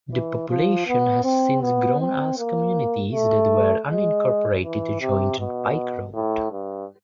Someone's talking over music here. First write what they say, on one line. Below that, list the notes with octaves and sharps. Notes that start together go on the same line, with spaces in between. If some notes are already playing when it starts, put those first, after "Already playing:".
The population has since grown as communities that were unincorporated joined Pike Road.
E3
F3
B3
C4
B3
C4
A#3
A3
G#3
E3
C3
B2
A2
G2